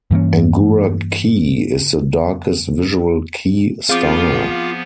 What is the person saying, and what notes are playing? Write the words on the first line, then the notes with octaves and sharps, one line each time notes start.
Angura kei is the darkest visual kei style.
G2 E3 A#3 C#4
F3 B3 C4 F4 G#4 F5 D6